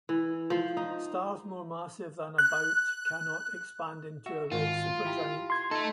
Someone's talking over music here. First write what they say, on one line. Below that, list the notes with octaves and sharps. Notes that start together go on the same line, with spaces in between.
Stars more massive than about cannot expand into a red supergiant.
E3
F3 C5
D#4
F#6
F#4 E5
G#1 F4
E4 G4 A#5
C6 G#6
A3 D#4 A4